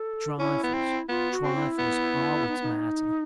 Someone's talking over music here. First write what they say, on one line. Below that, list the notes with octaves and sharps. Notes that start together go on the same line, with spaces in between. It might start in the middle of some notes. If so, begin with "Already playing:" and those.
Trifles, trifles are what matter!
Already playing: A4
C#4 E4
B3
C4
B3 F4
F#4
C4
E4
B3
D#4
D#4